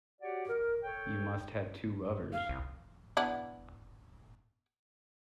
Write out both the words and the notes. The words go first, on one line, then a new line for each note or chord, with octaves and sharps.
You must have two lovers!
F#4 G4 C#5 D5 F#5
A#4
A4 C#5 G5
F5
C2
B3 D4 E4